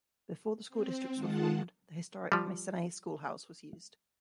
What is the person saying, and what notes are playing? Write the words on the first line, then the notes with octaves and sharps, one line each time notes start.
Before the school districts were formed, the historic Mycenae Schoolhouse was used.
C4
D#3 G#3 F4 F#5 A5
F3 G3